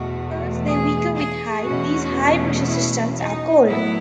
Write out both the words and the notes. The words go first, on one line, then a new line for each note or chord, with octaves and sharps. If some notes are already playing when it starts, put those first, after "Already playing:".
Because they weaken with height, these high-pressure systems are cold.
Already playing: E2 B2 A3 F#4
G#4
G#4
E2 B2 A3 C#4 F#4
E4
D#4
A2 F#3 B3 E4